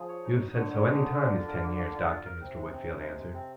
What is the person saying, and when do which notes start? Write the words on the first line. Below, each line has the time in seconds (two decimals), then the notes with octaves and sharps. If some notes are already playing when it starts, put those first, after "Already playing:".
'You have said so, any time these ten years, Doctor,' Mr. Wickfield answered.
Already playing: F3 G#4
0.08 C#5
0.24 D#4
0.39 D#4
0.55 D3 C#5
0.70 C#5
0.86 G#4
1.01 D#4
1.16 A#3
1.32 F4
1.47 A#4
1.63 A#3
1.78 A#3
1.94 F4
2.10 F4
2.25 A#4
2.41 C3 C4
2.56 G#3
2.72 C4
2.88 G#3
3.03 G#3
3.19 G#3
3.34 C4